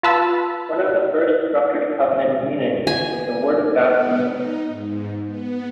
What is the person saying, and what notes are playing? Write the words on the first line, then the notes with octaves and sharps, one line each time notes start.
One of the first structured covenant communities was the Word of God Community.
F4 B4 A5 B5 E6
G#5
B3
D#4
G#2
B3